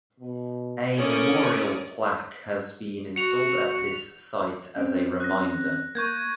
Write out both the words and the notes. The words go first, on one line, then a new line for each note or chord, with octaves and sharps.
A memorial plaque has been installed at this site as a reminder.
B2
C#4 E4 A4 A#4 C#5 D5 D#6
F#4 C#7 F7
C4 C#4
F#6 A#6
A#3 C#6 G6 G#6